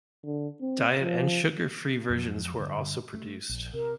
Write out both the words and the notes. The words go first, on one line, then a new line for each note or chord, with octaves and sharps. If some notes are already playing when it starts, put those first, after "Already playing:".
Diet and sugar free versions were also produced.
D3
C4
F3
F2 F3 F#3
G2 D3
A3
A#1
C3 A#4